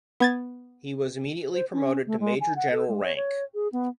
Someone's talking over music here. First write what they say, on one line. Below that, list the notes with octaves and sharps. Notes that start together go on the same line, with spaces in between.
He was immediately promoted to major general rank.
B3 G#6 A6
C5
C#4
A3
G#3
G#5
F#5
A4
G#3
C#5
C#5
G#4
B3